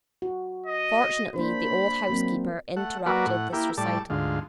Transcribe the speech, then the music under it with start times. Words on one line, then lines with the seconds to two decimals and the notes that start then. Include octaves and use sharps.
Fortunately, the old housekeeper interrupted this recital.
0.22 F#4
0.66 D#5
1.36 A#3 D4 C5 B5
2.10 F#3 A#3 C4
2.76 A3 F#5
3.06 F#3 A#3 F#4 B4 D5
3.26 A2 F#5
3.53 A#3 E4 G4
3.77 A2 G3 D5 A5
4.10 D2 G#2 F4